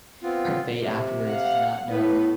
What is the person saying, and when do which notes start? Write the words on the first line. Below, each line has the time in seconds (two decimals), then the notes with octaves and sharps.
Her fate afterwards is not known.
0.23 B3 C4 F4
0.79 C3
1.26 F5 F#5
1.88 A2 B3 B4